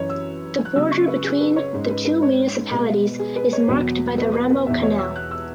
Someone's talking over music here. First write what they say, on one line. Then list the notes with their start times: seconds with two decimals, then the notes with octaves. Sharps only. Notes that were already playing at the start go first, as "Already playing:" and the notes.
The border between the two municipalities is marked by the Ramo canal.
Already playing: F#2 E3 C#4 B4 C#5
0.09 E6
0.65 F#6
0.75 C#3 F#3 B3 E6
0.92 C#6
1.08 B4
1.24 G#4
1.41 B4
1.56 C#5
1.73 G#2 G#3 C#4
1.89 B4
2.05 B4
2.22 C#5
2.71 B2 G#3 B3 B4
3.19 G#4
3.36 B4
3.53 C#5
3.68 E2 B2 F#3 B3 B4
4.18 B4
4.34 B4
4.50 B4
4.66 E2 B2 B3 E5
4.83 C#5
4.98 E6
5.16 F#6
5.31 E6